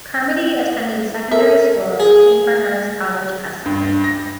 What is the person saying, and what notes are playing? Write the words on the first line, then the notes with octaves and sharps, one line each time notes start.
Carmody attended secondary school at Saint Bernard's College Essendon.
A4 A#4 E5 A5
G#4
G2
A#6